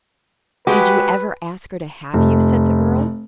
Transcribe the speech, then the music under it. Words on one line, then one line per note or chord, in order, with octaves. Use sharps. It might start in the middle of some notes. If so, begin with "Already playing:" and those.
"Did you ever ask her to have you?" said the earl.
G#3 F#4 G4 B4
F1